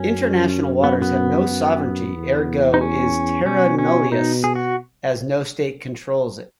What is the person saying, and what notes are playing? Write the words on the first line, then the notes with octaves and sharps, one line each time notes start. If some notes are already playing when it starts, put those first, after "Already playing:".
International waters have no sovereignty, ergo is "Terra nullius" as no state controls it.
Already playing: F#2 C#4
B3
B3
F#2
E2
D#4
C#4
B2 C#4
C#4
D#4
G#4
F#4